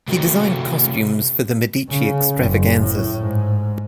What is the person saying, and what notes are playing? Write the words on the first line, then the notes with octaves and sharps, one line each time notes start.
He designed costumes for the Medici extravaganzas.
C3 A3 F#4 A4
C#3
F#1
A2
G#2